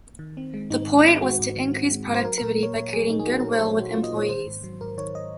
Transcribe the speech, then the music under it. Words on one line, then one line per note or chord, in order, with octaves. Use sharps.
The point was to increase productivity by creating good will with employees.
D#3
C4
G#3
G#2 D#4
D#3
C4
G#3 F#4
G#2
D#3
C4
G#3
G#2
C5
F#3 A#4
A#2 A#4
A#3 C#5
A#2 C#5
F#3 G#4
A#2 D#4
G#4
A#3 F#4
A#2 A#4
C5
F#3 C#5
A#2 F#4
A#3 F4
D#5
A#2 C#5
D#3 C5
G#2
F#3
G#2 A#4
D#3 C#5
D#5